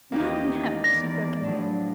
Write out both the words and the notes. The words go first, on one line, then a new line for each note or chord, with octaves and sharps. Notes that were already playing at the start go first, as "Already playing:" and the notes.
"No, no!" she broke in merrily.
D#2 D#3 E3 A#3 G4 D#5
E2 D5 A#6
A2 F3 F#3 D4